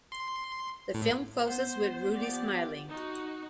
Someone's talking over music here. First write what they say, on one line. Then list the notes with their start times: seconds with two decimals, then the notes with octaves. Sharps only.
The film closes with Rudy smiling.
0.12 C6
0.94 A2
1.47 B3 C5
2.16 F3 G4 D5
2.88 D#4 F#4